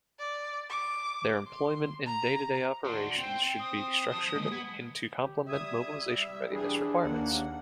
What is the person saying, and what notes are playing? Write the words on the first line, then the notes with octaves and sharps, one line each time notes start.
Their employment in day-to-day operations should be structured to complement mobilization readiness requirements.
D5
D6
C6
A#5
D4 F#4 C6
C4 C5 G5
D#6
C5 A5
G#3 A#3
B3 G#6
G4
G3 E5 D#6 G#6
E3 D4 G4 G#4
D#2 A#3 F#5